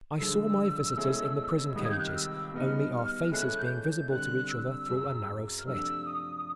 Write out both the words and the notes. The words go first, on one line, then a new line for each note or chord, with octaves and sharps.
I saw my visitors in the prison cages, only our faces being visible to each other through a narrow slit.
G2 D3 F3 G#3 E6
B2 G#3 C#4 E4 A4
C#2 C3 D#3 G3 D#6
G#6
G6
F#6
F6
E6
B2 G3 B3 D#4 F6
E3 G#3 C#4 E4 A4 F#6
F#6
G6
G6
D3 G3 C4 F#6
E6
F#2 C#3 F#3
F6
C3 F3 A3 D4 E6
D#6